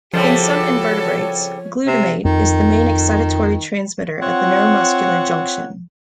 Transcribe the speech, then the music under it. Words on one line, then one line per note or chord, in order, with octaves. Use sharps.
In some invertebrates, glutamate is the main excitatory transmitter at the neuromuscular junction.
C#3 F3 G3 C4 F#4 G4 A4 C#5
C3
F2 D#3
C4 F4 C#5 F#5